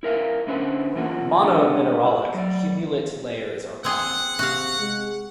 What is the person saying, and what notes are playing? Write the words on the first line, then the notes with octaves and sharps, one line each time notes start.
Monominerallic cumulate layers are common.
E4 A#4 E5 F5
D3 C#4 E4 B4 C5
E3 A#3 F4 F#4
G3 G#3 B3 D4 F#4 G#4
E4
F#3 D5
C4 G#4 F#5
C3 F#4 F5
G#3